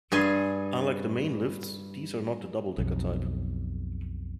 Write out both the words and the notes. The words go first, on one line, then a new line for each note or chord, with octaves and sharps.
Unlike the main lifts, these are not the double-decker type.
G2 G#4 G#5 C6
B1 F2